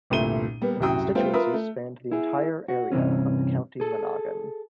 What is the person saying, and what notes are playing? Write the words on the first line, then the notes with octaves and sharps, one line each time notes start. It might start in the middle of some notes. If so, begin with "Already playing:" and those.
The constituency spanned the entire area of the County Monaghan.
G1 C2 A#2 A3 D#7 G7
G3 A#3 B3
C2 F#2 A2 F#4 G5 D#6
G3 A3 B3 F4 C5 G5
F4 A#4 B4 E5 B5 D#6
A3
E4 G#4
F#4
G2 C3 E3 C4 C#4
G#4 A4